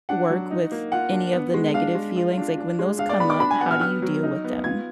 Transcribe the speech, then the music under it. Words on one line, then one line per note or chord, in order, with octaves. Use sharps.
work with any of the negative feelings? Like, when those come up, how do you deal with them?
D4 F#5
F#3
D#4
A#3
F4 F#5
D4
B3
G#3
D4 F5
G#3
F4
D4
D4
G#3
D4 F5
D5
B3 B5
D6
D4 B5
G#5
B3 F#5
F6
B3 F6
F#3
D#4
B3
F4 G#6